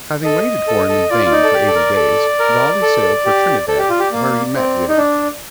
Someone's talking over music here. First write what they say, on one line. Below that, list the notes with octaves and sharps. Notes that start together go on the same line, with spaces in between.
Having waited for him in vain for eighty days, Raleigh sailed for Trinidad, where he met Whiddon.
A4 D#5
A4
A4
F4 D5
F4
D#4
A4
G4
A4
A#4
A4
A#4
A4
G4
A4 D5
G4
F4
G4
A#3
C4
D#4
D4